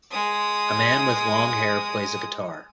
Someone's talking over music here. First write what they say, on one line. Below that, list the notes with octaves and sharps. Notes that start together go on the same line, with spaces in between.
A man with long hair plays a guitar.
G#3 D#6